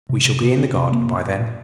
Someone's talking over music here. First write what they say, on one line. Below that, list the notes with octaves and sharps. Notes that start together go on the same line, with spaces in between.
We shall be in the garden by then.'
C3
C3
C3
C4
C3
A#3
A#2
A#2
A#2